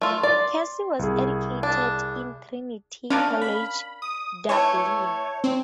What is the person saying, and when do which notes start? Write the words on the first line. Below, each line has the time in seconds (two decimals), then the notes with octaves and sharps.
Casey was educated in Trinity College Dublin.
0.01 A3 F4
0.23 D5 C6
0.99 C2 G#4
1.63 D4
3.10 C#4 D4 A#4 F5
3.42 B5
4.02 D#6
4.49 E3 A3 C#5
5.44 C4